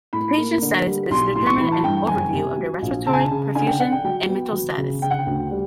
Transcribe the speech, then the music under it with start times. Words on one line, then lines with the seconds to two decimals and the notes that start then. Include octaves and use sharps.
The patient's status is determined an overview of their respiratory, perfusion, and mental status.
0.13 A2 B5
0.38 A#3
0.62 D3
0.86 G3
1.11 B1 C6
1.35 A2 C6
1.47 C#6
1.60 E3 B5
1.72 A5
1.84 G2 G5
1.97 G5
2.08 F#1 G#5
2.33 C3
2.58 F#3
2.82 A#1
3.06 C#3 A5
3.13 G#5
3.21 A5
3.31 C#3
3.55 D3 G#5
3.68 G5
3.80 D3 F#5
3.92 G5
4.04 F#3 G5
4.29 B3
4.53 F#3
4.77 C#3
5.02 C#3 G5
5.10 F#5
5.19 G5
5.26 D2
5.51 G3